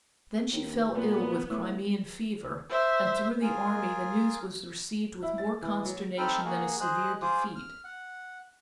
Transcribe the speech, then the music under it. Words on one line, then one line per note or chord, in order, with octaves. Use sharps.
Then she fell ill with Crimean fever, and through the army the news was received with more consternation than a severe defeat.
D#2
A#2 B3
A2
C5 E5
F4 G#4 A#4 G#5
E4
A6
E3
F#3
C4 D#4 A4 G5 B5 F6
A#3 F#4 G#4
G#4 C5 D#5 F#6
F4 G#4 C5 D6 D#6
F6
F#5